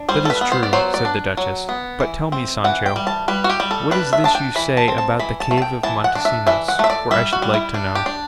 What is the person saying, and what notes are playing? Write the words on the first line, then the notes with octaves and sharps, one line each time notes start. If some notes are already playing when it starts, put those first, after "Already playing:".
"That is true," said the duchess; "but tell me, Sancho, what is this you say about the cave of Montesinos, for I should like to know."
Already playing: D4
G3 C5
A4
B4
B3
C5
D5
F#3 C5
D5
D4
F#3
B3
E3
C4
E3 F#5
G5
G3
A5
G3 B4
F#4
G4
G3
A4
D4 B4
E5
D4 A5
G5
E3 B5
A5
C4
A5
E3 B5
A5
A3
A5
G5
E3 A5
F#5
D4
E5
E3 E5
F#5
A3 E5
D5
G3 E5
F#4
G3
E4
D4
G4
D4